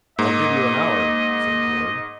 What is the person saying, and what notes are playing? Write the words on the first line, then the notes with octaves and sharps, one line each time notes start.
"I'll give you an hour," said Borg.
G#2 A#3 D#5